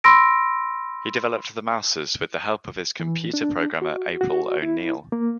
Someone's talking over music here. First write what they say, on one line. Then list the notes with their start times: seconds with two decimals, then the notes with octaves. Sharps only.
He developed the Mousers with the help of his computer programmer April O'Neil.
0.04 B5 C6 E6 A#6 D7
3.00 E3
3.34 D4
3.82 F#4
4.21 F#4
4.63 E4
5.12 A#3